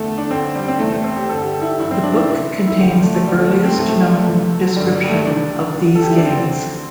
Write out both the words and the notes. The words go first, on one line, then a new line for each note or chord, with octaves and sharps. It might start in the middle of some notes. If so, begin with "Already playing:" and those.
The book contains the earliest known description of these games.
Already playing: E2 D3 A3
D4
D2 D3 C4
G3
C4
E2 C3 E3 A3
A3
C4
G4
G2 D3 A4
G4
A4
E4
G4
G2 E3 E4
C4
D4
E4
D2 C3 E3
E4
D2 D3 G4
G3
A3
A3
D2 D3 G3
A3
A3
C4
C2 C3 E3 A3
A3
G3
A3
D2 C3 E3
G2 D3 G3
G3
G3
A3
C2 C3 E3 D4
E2 D3
A4
G4
E4
D4
D2 D3 C4